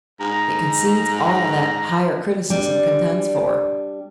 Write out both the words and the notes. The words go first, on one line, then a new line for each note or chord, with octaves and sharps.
It concedes all that higher criticism contends for.
G#2 A#5
G3 D4